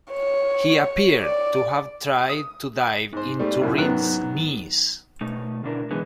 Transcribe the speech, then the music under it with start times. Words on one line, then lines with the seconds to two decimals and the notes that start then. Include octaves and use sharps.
He appeared to have tried to dive into Reed's knees.
0.12 C#5
1.21 D5
2.29 D#6
3.13 G#2 C5
3.39 G#2 G3 A3
3.61 C2 F#2 A2
3.78 G#2 D#3 F#3 B3 F#6
5.21 B2 A3 D#4
5.64 B2 D3 D4 E4 A#4
5.91 D3 E3 G#3 B3 D#4